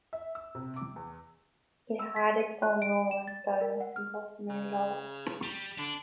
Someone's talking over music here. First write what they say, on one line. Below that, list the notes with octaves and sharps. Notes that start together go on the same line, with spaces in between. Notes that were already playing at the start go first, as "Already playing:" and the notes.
It had its own Romance dialect and customary laws.
E5
E6
C3
D6
E2
E6
B6
D#7
F#6
D7
E7
A6
A#4
F#5
F6
C#3
G3
D3 D4